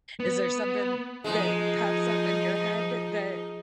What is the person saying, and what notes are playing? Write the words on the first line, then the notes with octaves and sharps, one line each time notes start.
Is there something that pops up in your head that that
B3
F3 G#3 D#4 F4